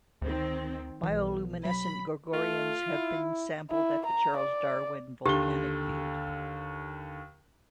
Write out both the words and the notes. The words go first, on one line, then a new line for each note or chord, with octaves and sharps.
Bioluminescent gorgonians have been sampled at the Charles Darwin volcanic field.
D2 D#3 C4
B1 E3
F#3 B5
A3 F4
E4
E4
A#5
D5
D#2 D3 G4 G7